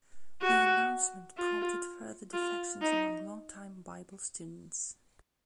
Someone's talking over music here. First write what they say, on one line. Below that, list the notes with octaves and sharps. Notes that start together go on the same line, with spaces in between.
The announcement prompted further defections among long-time Bible Students.
F#4
F4
F4
D#4